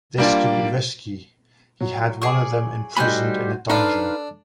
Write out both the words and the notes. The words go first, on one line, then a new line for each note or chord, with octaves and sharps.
This could be risky; he had one of them imprisoned in a dungeon.
G3 A#3 D4 F4
F#3
G#4 D5 C#6
G3 A3 D#4 F#4 C5 G5 G#5 B5
D4 D#4 A4 B4 C5 F5